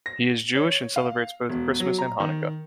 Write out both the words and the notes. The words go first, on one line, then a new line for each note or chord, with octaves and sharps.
He is Jewish, and celebrates both Christmas and Hanukkah.
A#6
C#5
F5
E1
F#3
A#5
D#3